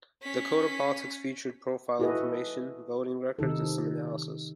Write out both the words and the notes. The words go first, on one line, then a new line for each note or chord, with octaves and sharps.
DakotaPolitics featured profile information, voting records and some analysis.
C#4 B6
E4 F#4 G#4 A4 B4 D#5
C3 D#3 D#4 A4